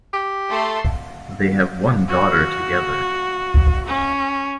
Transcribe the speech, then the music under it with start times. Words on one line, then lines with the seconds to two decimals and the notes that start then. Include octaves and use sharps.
They have one daughter together.
0.13 G4
0.50 A3 A4 C6
2.08 F#4
3.86 C#4